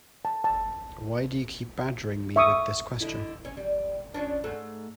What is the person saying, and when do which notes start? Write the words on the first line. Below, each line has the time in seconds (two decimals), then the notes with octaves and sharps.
Why do you keep badgering me with this question?
0.25 A5
0.44 A5
2.36 E5 C#6 D#6
3.01 D3 D#4 E4
3.45 C#4
3.57 G3
4.14 F3 C#4 D4
4.44 G#2 A3